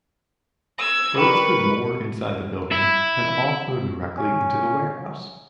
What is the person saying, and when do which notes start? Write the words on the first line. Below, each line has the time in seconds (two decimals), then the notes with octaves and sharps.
Boats could moor inside the building and off-load directly into the warehouse.
0.78 E6 G#6
1.18 G3 A#4 B4 G5 B5 C#6
2.71 E4
4.18 C#4